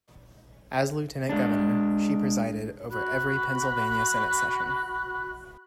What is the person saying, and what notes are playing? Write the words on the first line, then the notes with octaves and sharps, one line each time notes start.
As lieutenant governor, she presided over every Pennsylvania Senate session.
G#3 D4
F#4 B5 F#6